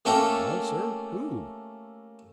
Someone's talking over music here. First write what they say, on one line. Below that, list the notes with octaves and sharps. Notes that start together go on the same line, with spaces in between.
"Well, sir, who?"
A3 A#3 C#4 G4 A4 A#4